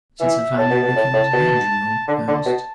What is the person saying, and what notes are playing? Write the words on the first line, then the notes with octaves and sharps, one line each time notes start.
"Since I found you looking into the engine-room?" I asked.
E3 E5
A2 A5
B2
B2
A2
A2
B2
D3 A5
D3
B2